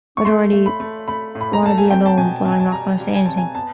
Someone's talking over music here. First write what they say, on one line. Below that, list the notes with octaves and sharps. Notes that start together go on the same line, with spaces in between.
I don't really wanna be alone, but I'm not gonna say anything.
C#6
A3 C6
A3
B5
A3
A3 B5
A2
B5
A#5
A3 A5
G#5
C4 G5
A5
B2 G#5
B2 A5
G#5
A5
G3 A#5
G3
G#5
C4 A5
G#5
B3 A5